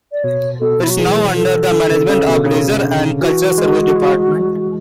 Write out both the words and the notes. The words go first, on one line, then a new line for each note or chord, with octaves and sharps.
It is now under the management of the Leisure and Cultural Service Department.
D5
B2 C#5
B2 A4
E4
F#3 F#4
E3 G#4
A4
D3
C#3
C#3
B2
C#3
D3
E3 F#4
G#3
G#3